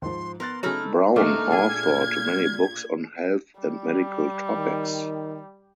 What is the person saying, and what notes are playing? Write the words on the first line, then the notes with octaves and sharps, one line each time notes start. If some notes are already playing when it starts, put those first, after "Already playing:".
Brown authored many books on health and medical topics.
D#2 G#2 F3 C6
B3 A#4 C6 F#6 A6
C#3 F#3 A3 D#4 E4 F6
G#2 A3 A#3 D4 D#4 F6
A#2 G#4 A4 G#6
G3
D#3